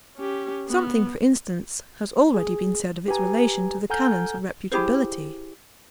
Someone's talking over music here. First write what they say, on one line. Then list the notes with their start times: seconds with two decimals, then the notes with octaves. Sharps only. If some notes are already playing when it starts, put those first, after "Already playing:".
Something, for instance, has already been said of its relation to the canons of reputability.
0.18 C#4 G4
0.68 B3
2.34 G#4
3.08 G4 B4 G#5 A#5
3.90 A4 F#5 G#5 A#5 F6 G6
4.71 E4 G4 G#4 C5